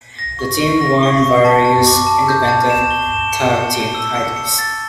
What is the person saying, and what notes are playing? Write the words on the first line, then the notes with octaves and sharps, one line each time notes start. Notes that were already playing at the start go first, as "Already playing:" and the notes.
The team won various independent tag team titles.
A#6
C#6
C#6
A#6
C#6
C#6
A5
A5
D6
A5
G6
A5
E7
G7
E7
C#7
C#7
G7
E6
C#7
C#7
A6